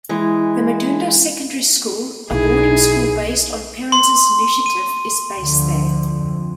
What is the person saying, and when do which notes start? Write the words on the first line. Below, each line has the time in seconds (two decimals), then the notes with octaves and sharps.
The Madunda Secondary School, a boarding school based on parents' initiative, is based there.
0.09 E3 G#3
2.31 B1 D#4 E4 G#4
3.92 C6
4.66 D#7
5.39 D2 D3 F3
6.17 F2